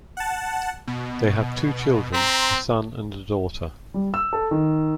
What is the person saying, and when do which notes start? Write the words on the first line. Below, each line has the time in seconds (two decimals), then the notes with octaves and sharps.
They have two children: a son and a daughter.
0.17 F#5 A5
0.87 B2
2.13 C4 A#5 C6 B6
3.94 G3
4.14 E6
4.33 A4
4.51 D#3